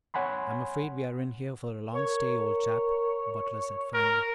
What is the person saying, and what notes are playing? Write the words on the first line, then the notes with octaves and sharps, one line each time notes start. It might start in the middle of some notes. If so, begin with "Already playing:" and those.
"I am afraid we are in here for a long stay, old chap," Butler said finally.
C#5 F#5 G#5 B5 C6
A#4 C#5
A#4